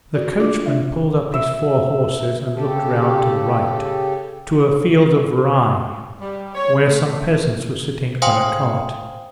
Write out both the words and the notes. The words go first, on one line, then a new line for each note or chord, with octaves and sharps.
The coachman pulled up his four horses and looked round to the right, to a field of rye, where some peasants were sitting on a cart.
F#4 D5
D4 F4 D5 D6
D4 D5 E5 F5
E5
C#3 G4 A4
G3
C#5
A3
C5 F5 G5 G#5 C6 D#6